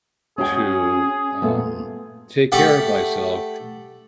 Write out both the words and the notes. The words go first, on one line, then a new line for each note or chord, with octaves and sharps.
to, um, take care of myself
C#4 F#4 G#4 G5
A#2 A3 B3
A3 G4 F#5